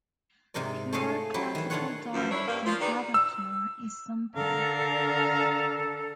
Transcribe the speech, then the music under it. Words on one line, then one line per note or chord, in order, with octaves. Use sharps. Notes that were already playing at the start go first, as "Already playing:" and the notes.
Pure classical Doric entablature is simple.
G#2 C3 D#4 A#4 D5
A3 F4 G#4 C#5 D#5 F5
F#3 E4 G4 C5
D#3 E3
D#3 D4 F4 A4 C#5 F#5
F#2 E3 F3
D4 E4 C#5
G2 A#3
F3 F4
D#3 D#4 F#4 G#4 B4 D5
E6
D3 A4 A#4 F5